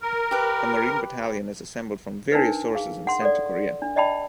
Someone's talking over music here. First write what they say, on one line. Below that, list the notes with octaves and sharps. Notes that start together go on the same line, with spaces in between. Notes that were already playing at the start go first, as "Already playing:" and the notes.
A Marine battalion is assembled from various sources and sent to Korea.
A#4
G4 B4
D4 D#4 A#4 B4
G#4 F5
F#5 C6
A4 D5
D4
D5 D#5 G5 A5 B5